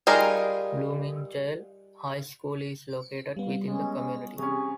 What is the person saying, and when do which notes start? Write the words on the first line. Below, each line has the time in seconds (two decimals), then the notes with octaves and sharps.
Bloomingdale High School is located within the community.
0.07 G3 D#4 F4 G#4 A#4
3.37 G3 B3 F5
3.68 G#3 C#4
4.38 C3 C#4 G#4 C#6